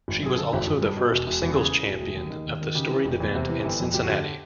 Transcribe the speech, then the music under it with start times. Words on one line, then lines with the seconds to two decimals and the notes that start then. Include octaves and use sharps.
She was also the first singles champion of the storied event in Cincinnati.
0.08 G#1
0.23 F#2 G#4
0.37 D3 A4
0.53 G#1
0.68 G#1
0.82 G2
0.97 B2
1.12 E1
1.27 E1
1.42 E2
1.56 C#3 G#4
1.71 E3
1.87 E1
2.01 D2
2.16 D#2
2.30 D#3
2.46 D#2
2.61 D#3
2.75 C#3 G4
2.91 E3
3.05 F1
3.20 E2
3.35 C3
3.49 E3
3.65 G1
3.80 F2
3.94 D2 G4
4.03 F#4
4.10 D3 G4